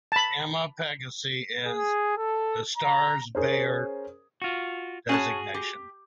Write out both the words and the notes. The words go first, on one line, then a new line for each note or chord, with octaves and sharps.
"Gamma Pegasi" is the star's Bayer designation.
A5 B5
G#4
A4
A#5
C#4 G#4 A#4 C5
F4 F#4
C#4 F#4 G#4 C#5 A5
G4